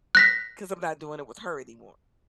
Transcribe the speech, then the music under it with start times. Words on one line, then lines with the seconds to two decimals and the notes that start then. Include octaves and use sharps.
'cause I'm not doing it with her anymore,
0.15 F#6 A#6 B6